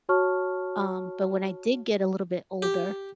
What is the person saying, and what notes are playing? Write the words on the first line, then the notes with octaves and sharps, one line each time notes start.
Um, but when I did get a little bit older
F#4 C#5 A5 C#6 F6
G4